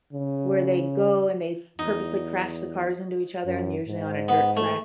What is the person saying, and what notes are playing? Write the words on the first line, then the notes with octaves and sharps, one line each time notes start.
where they go and they purposely crash the cars into each other, and they're usually on a dirt track?
C#3
E2 D#4
F#2
G#2
B3
A3